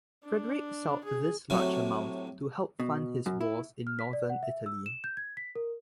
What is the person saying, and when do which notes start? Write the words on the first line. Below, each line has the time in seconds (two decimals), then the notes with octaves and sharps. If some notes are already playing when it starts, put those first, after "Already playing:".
Frederick sought this large amount to help fund his wars in northern Italy.
0.24 D4
1.04 G#4
1.50 A2 C3 F#3
2.79 B2
3.26 F#2
3.41 E4
3.87 F6
3.99 B6
4.13 D5
4.30 F#5
4.43 E5
4.66 E6
4.86 E7
5.04 G6
5.17 G#6
5.37 B6
5.56 A#4